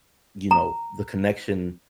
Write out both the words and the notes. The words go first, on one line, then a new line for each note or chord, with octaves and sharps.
you know, the connection
A#5